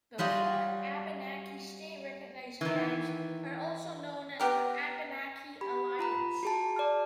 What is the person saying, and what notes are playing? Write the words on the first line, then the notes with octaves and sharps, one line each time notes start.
The four Abenaki state-recognized tribes are also known as the Abenaki Alliance.
F#3 G3 F4 G#4 D#5
D#3 E3
B3 G4 A#4
G4 B5
F4 A#5 B5
F#4 G#4 A5
D5 A5 F6